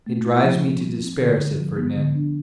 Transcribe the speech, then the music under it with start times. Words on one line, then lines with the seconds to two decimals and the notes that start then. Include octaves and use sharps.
"It drives me to despair," said Fernand.
0.06 A3
0.25 E4
0.44 F3
0.63 F3
0.82 G3
1.00 C4
1.20 D3
1.39 D3
1.57 F3
1.77 B3
1.95 D3
2.15 D4